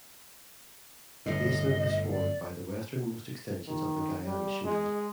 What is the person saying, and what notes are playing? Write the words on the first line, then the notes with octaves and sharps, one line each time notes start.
The basement is formed by the westernmost extensions of the Guiana Shield.
G1 A2 D#5
D5
D#3
G3
G#3